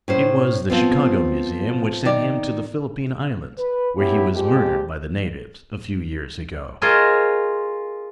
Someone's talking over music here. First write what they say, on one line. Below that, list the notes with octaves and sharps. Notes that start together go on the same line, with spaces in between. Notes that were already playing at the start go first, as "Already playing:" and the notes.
It was the Chicago Museum which sent him to the Philippine Islands, where he was murdered by the natives a few years ago.
A2 C#4 C5
F3 B3 C4
D#3 D5
B4
B3 C#4 E4 G4
F2 A#2 G#3 G4
F4 G#4 A#4 C5 C#5 D#5